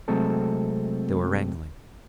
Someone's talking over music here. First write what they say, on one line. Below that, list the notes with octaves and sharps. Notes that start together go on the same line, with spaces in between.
They were wrangling.
C3 F#3 G#3 A3 C4 A4